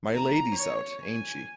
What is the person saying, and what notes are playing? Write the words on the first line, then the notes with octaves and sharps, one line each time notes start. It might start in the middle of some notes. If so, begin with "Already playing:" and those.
My Lady's out, ain't she?
A#5
C#5
G#5